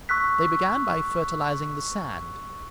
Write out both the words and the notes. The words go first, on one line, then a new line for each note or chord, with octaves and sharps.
They began by fertilizing the sand.
C#6 E6 F#6 B6